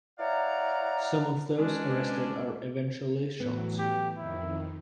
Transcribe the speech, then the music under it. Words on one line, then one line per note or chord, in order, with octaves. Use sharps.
Some of those arrested are eventually shot.
E4 C#5 D5 F5 F#5 A#5
B2 G#3 C#4 D4
A2 E3 F#3 B3
G4
F2 D#3 E4